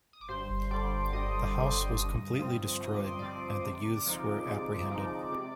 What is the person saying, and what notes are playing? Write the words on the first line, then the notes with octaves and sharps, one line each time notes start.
The house was completely destroyed, and the youths were apprehended.
D#6
D6
G2 C5 C6
D3 G3 D5 D6
D6
G2 D#5 D#6
D3 G3
G2
F3 C4
G2 D#6
D6
C6
F3 C4 D5 D6
C3
F3 G#3 D#4
C3
F3 G#3 D#4
C3